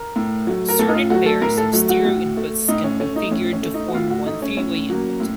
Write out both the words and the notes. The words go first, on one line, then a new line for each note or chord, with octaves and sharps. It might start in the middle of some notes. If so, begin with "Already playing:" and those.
Certain pairs of stereo inputs can be configured to form one three-way input.
Already playing: A#4
A2
F#3 A3
A#4
A2 A4
D#4
F4
F#3 A3 F#4
A4
A2 A#4
A4
F#3 A3
F#4
A2
A3
A2 D#4
C#4
A3 C#4
D#4
A2 C#4
C#4
A3
D#4
F#4
A2 F4
F#4
A3 D#4
C#4
A2 C#4
F#3 A#3
A2